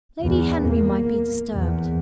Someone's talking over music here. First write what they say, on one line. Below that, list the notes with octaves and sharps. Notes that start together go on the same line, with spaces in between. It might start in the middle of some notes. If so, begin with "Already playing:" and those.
"Lady Henry might be disturbed."
E2
A#3
E2